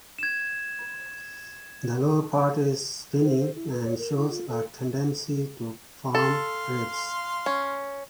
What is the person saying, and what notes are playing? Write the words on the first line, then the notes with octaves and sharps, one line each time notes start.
The lower part is spiny and shows a tendency to form ribs.
G#6 E7
C5
C5
E4
B4
C#5
A#4
E4
F4
A4
A4 F5 C6
C#4